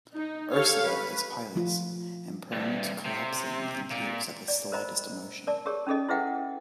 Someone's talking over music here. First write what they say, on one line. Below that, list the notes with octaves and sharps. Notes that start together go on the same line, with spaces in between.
Ursula is pious and prone to collapsing in tears at the slightest emotion.
D#4
G4 A4 C#5 F5
B4
F3 A3 F4
C2 G2
C3
A#2
D5
A#4 C5 D#5 A#5 B5
A#4 D5 A5
G4 G#4 A#4 C#5
C#4 D#4 G#4 A4 D#5
E4 G#4 B4 E5 F#5 G5